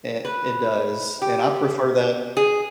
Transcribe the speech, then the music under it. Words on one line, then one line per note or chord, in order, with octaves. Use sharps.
It it does, and I prefer that.
B4
G4
G#4